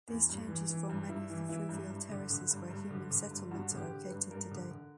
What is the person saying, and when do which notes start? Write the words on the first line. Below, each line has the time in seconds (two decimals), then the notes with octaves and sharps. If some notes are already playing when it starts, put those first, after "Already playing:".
These changes formed many of the fluvial terraces where human settlements are located today.
0.08 E2
0.29 G2
0.48 E3
0.69 E3
0.89 G2
1.09 G2 E4
1.30 E3
1.49 E3 E4
1.69 G2
1.90 G2
2.09 D3
2.30 D3
2.50 G2
2.71 G2
2.91 D3
3.11 D3
3.31 G2
3.51 G2 F#4
3.71 D3
3.77 G4
3.91 D3
4.04 B4
4.10 G2
4.31 G2 A#4
4.51 D3
4.71 D3